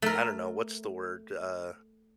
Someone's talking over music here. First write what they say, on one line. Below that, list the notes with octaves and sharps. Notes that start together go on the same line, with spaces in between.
I don't know. What's the word, uh
A3 A#4